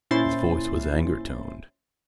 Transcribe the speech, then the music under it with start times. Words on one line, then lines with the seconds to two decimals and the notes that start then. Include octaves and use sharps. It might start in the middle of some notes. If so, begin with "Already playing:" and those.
His voice was anger-toned.
0.11 A#2 C#4 E4 C5 C6 A6